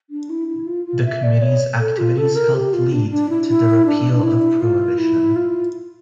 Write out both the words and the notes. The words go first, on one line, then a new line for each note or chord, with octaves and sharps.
The Committee's activities helped lead to the repeal of prohibition.
D4
E4
E4
F4
F4
E5
D5
C#5
A4
F4
A4
A#4
G4
F4
D4
D4
E4
E4
D4
D4
E4
F4
E4
F4